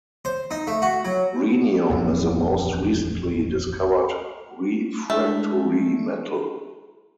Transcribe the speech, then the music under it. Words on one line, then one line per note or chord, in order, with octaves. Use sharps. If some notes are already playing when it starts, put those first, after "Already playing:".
Rhenium is the most recently discovered refractory metal.
C5
D#4
A3
F#4
F#3
D#1 A1 F2
G#3 A3 D4 E4